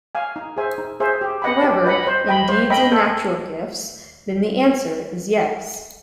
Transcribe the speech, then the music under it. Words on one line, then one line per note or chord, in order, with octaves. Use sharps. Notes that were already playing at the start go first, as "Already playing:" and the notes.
However, in deeds and natural gifts, then the answer is yes.
F5 G#5
D#4
G#4 C5 E5 G#5
D#4
G#4 C5 E5 G#5
G4
B4 D#5 F#5 B5
G4
B4 D#5 F#5 B5
C5
D#5 G5 B5
C5
D#5 G5 B5
A4